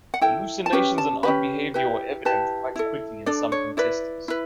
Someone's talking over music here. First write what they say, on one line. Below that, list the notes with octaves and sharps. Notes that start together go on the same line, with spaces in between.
Hallucinations and odd behaviour were evident quite quickly in some contestants.
F#5
E4 A4 G5
A5
C#4 G4 B4 G5
A5
C#4 G4 B4 B5
E4 G4 B4
E4 G4 B4 A5
E4 A4
D4 A4 D5
C#5
E4 B4 D5
E4 B4